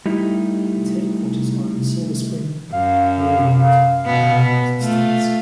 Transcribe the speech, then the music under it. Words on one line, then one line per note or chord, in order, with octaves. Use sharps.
Its headquarters are in Silver Spring, Maryland in the United States.
G3 A3 D#4 E4 G4
F#2 F5
B2 B3
A3 F4